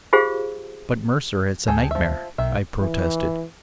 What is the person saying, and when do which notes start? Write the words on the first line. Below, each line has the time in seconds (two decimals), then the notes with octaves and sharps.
"But, Mercer, it's a nightmare!" I protested.
0.13 F4 G4 G#4 C5 F5
1.68 D2 G#4 A4 G5
1.91 F3 E5
2.38 B1 D#3 E5
2.80 E3